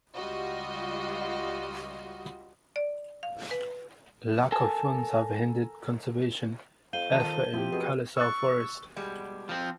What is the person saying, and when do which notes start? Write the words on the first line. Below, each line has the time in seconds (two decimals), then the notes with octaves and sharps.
Lack of funds have hindered conservation effort in Kalesar forest.
0.15 C#2 G3 F4 F#4 D#5
2.76 D5
3.23 F5
3.51 B4
4.52 A4 A#4 G#5 A5
6.93 F2 F5 G6 D#7 G7
7.12 D#3 F4 A5 D#7
7.53 F3 C4 E4 G4
7.72 B2 G#4
8.17 C#6 E6 F#6 A6
8.96 B2 G3 G#3
9.49 F3 C4